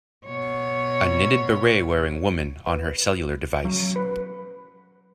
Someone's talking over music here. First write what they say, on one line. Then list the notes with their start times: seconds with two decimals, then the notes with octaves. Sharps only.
A knittedberet wearing woman on her cellular device.
0.25 B2 C#5
2.66 B4
3.65 F#3
3.96 B4